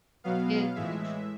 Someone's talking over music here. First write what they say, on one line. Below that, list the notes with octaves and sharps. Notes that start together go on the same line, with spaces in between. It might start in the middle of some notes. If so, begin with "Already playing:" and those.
kids and
B2 F#3 B3 F5
A2 E3 G#3 E5